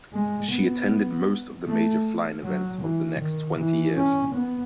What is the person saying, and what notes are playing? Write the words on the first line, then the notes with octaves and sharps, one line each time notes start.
She attended most of the major flying events of the next twenty years.
G#3
B3
A3
F#3
E3
D#3
E3
C#4
B3